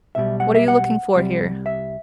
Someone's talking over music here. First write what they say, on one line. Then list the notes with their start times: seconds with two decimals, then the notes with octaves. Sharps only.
What are you looking for here?
0.15 B1 B2 G3 E5
0.40 F#5
0.55 E5
0.68 F#5
1.16 C2 C3 G3
1.66 E5